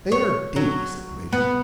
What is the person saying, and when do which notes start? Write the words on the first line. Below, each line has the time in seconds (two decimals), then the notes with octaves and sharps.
"They are dainty," said the Major.
0.12 C#5
0.56 F#3
1.33 B3